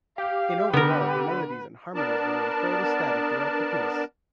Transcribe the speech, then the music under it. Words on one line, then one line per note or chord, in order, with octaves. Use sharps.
In overall, the melodies and harmonies remain fairly static throughout the piece.
G4 F5
D3 B3 A#4 B4
B3 D4 A#4 D5 A5